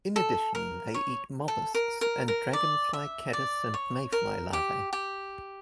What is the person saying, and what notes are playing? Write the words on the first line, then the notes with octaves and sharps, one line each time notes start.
In addition, they eat mollusks and dragonfly, caddis and mayfly larvae.
A4
A#4
C#5
A4
A#4
A#4
A#4
D5
E5
D5
C#5
A#4
G4
G4